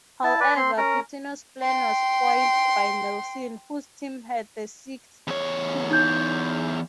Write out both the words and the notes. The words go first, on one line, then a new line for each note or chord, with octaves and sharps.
However, Pitino's plan was foiled by Nelson, whose team had the sixth pick.
E4 A5
B4 D5
C4 C6
C#4 A#4 A#5
G5 C6
E2 C#5
D#4 G6